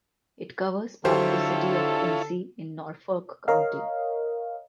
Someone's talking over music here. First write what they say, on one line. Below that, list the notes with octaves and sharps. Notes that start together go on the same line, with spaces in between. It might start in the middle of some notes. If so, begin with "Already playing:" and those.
It covers part of the city of Quincy in Norfolk County.
D3 F#3 E4 F4 G4 A4 C5 C#5
A#4 C#5 D#5 F5